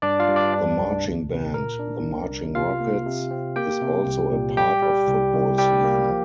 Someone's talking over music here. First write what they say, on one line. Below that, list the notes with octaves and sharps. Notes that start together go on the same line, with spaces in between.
The marching band, the Marching Rockets, is also a part of football season.
G2 D4 D5
F4 F5
G2
D4 D5
D4
C2
D2
C3
A#2 A#4
D4
C2
C2
C3 F4 F5
A#3
C3
C4
A#3 G4 G5
C3
C2
A#2
G3 G4 G5
G3
C2
C2
G3 G4 G5
A#3
F3